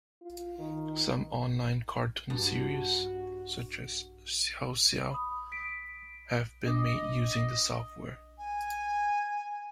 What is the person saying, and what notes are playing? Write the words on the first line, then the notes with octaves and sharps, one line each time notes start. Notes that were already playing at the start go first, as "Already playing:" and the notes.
Some online cartoon series, such as "Xiao Xiao", have been made using the software.
F4
D#3
G2 F#4
B5 D#6
B6 D7
D4 D#5 D6
G#5